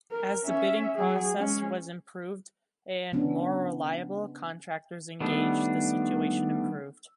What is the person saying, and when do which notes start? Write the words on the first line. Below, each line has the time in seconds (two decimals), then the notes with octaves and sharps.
As the bidding process was improved, and more reliable contractors engaged, the situation improved.
0.11 A#4
0.43 C#4 E5
0.96 F#3 G#4
1.36 G#3 C#4
3.12 C#3 B3 C#4 D4
5.21 D#3 G3 A3 B3 D4